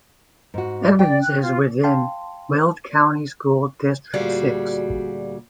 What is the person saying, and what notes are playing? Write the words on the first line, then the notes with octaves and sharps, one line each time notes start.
Evans is within Weld County School District Six.
G#2 F#4
D5 G5
F#6
F4
F5 G5 A5 C6
D2 A#2 G3 F#4 G#4 F5